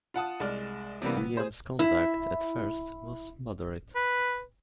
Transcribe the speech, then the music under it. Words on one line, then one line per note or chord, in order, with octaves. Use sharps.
William’s conduct at first was moderate.
F4 F#5 A5 D#6
C2 G#3 D5 F6
C3 E3 G3 A#3 B3
B3
G#4 C5
E4 E5
B4